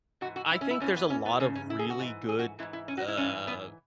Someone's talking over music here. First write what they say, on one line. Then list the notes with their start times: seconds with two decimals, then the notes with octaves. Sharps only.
I think there's a lot of really good, uh,
0.21 G#2 F#4
0.25 E3
0.36 F#4
0.51 E4
0.61 C#4
0.70 E4
0.80 E2 E3 C#4
0.96 B3
1.10 C#4
1.26 B3
1.39 E2 C#3 C#4
1.55 C#4
1.70 E4
1.79 G#4
1.90 F#4
1.99 G#2 E3
2.29 G#4
2.39 F#4
2.59 G#2 E3 E4
2.73 E4
2.88 C#4
2.98 F#4
3.08 E4
3.17 G#2 E3 C#4
3.47 B3